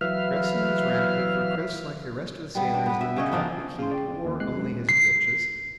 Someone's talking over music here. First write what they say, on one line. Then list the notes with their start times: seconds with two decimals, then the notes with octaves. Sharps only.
Dressing was rapid, for Chris, like the rest of the sailors in the tropic heat, wore only his breeches.
0.01 E3 F#3 B4 E5 F5 F6
2.55 G3 B3
2.74 D4
2.86 B3 B4
3.01 E5
3.16 C#3 C#5 D#5
3.32 F3 D4 D#4
3.79 C#3 F5 C6
3.91 D5 G5
4.07 F2
4.25 D#2 D#3
4.40 G#1 G#3 F#6 C7
4.53 F#2
4.89 C7